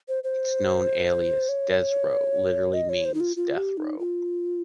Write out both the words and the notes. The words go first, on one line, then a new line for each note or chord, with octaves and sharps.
Its known alias, Des-row, literally means “death row”.
C5
C5
C#5
D#5
C#5
C5
D#4
F4
F4
G4
D#4
F4